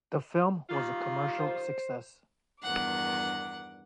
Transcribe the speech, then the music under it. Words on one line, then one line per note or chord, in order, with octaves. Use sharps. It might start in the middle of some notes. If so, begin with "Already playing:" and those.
The film was a commercial success.
D#3 G3 F4
C5
E2 G2 D#3 F#5 D6